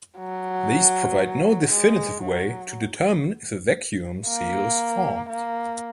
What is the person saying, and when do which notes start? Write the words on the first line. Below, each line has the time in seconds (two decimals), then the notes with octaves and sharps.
These provide no definitive way to determine if a vacuum seal is formed.
0.19 F#3
1.71 G#3
2.22 F#3
4.27 A#3
5.29 A#3